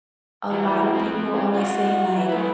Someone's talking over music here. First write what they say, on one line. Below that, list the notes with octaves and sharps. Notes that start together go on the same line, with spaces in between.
a lotta people always say, like
E3 F#3
F3 C4
C#3
F4 F#4
E3
A3 B4